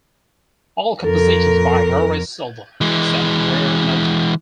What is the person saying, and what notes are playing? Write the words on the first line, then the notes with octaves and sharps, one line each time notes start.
All compositions by Horace Silver, except where noted.
F2 A4 A#4
E3 G#3